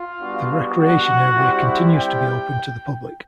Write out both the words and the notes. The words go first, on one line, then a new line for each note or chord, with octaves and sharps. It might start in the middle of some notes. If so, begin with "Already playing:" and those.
The Recreation Area continues to be open to the public.
Already playing: F4 F5
G3 B3 D4 F#4
F#4 F#5
G3 C4 E4 G4
G4 G5